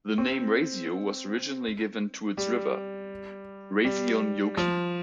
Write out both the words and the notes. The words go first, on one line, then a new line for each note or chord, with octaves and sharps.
The name "Raisio" was originally given to its river, Raisionjoki.
C4
G3
G3
F3